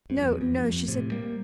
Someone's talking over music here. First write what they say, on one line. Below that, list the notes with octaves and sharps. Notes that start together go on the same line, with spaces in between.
"No, no," she said.
G2
F2
E2
F2
G2
F2
A2 C3
G3 A#3